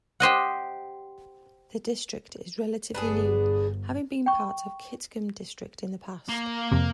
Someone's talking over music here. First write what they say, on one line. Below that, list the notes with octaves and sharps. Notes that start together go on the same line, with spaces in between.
The district is relatively new, having been part of Kitgum District in the past.
G4 C5 D#5 F#5
G1 B3 D4 G#4
G5 C#6
A#3
F2 C3